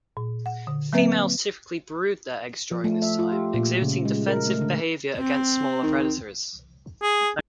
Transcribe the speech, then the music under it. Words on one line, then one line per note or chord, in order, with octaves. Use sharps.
Females typically brood their eggs during this time, exhibiting defensive behavior against smaller predators.
A#2
F#5
D3
F#3 A#3 C4 B4 E5
F3
A3
E5
F4
G4
A#2
C#3
G#3
A#4
A3
D3
C4
D#3
G#4